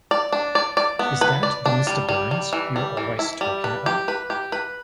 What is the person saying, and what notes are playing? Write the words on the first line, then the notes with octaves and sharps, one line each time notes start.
Is that the Mr. Burns you're always talking about?
D5
D4
D5
D5
B3
B4
D5
D4
G3
G3
G3
E3
G3
E3
E4
G3
B4
G4
B4
G4
B4